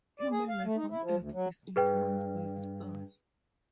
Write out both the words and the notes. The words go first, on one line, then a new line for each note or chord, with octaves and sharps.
Human life on earth is influenced by the stars.
D5
G#4
F5
A3
D#4
E4
F3
D2
F#3
G2 G#4 B4 G5